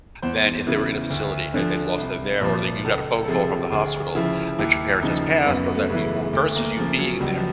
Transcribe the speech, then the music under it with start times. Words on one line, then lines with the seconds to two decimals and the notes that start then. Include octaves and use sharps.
than if they were in a facility, and and lost them there, or that you got a phone call from the hospital that your parents has passed or that y or versus you being there,
0.22 E2 C5
0.67 C#3 E3
1.10 D2
1.54 D3 F3
1.98 C2
2.41 A#2 F3
2.84 C#2 A4
3.23 A4
3.28 C3 F3 G#4
3.72 D2 G#4
4.15 C#3 F3 E4
4.59 D#2 E4
5.02 C#3 F3 D#4
5.46 F#2 B3
5.75 A3
5.90 C#3 E3
6.04 G#3
6.33 D2 A3
6.55 A#3
6.77 C#3 F3
6.98 F#3
7.20 C#2 G3
7.28 F#3
7.36 F3